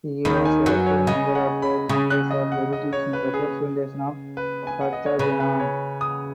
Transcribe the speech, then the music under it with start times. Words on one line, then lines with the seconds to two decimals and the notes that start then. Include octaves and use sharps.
He was elected member of the Congress of Deputies in representation of Cartagena.
0.25 D#2 D#3 B5
0.45 G#5
0.66 F#2 F#3 B4
0.86 C#5
1.07 C#3 D#5
1.35 F#5
1.62 B5
1.89 C#3 D#6
2.10 F#6
2.30 D#5
2.52 F#5
2.73 D#5
2.93 C#5
3.13 B4
3.34 G#4
4.37 B4
4.67 G#5
4.81 F#5
4.93 D#5
5.06 C#5
5.19 C#3 B4
5.40 B4
5.60 C#5
6.01 D#6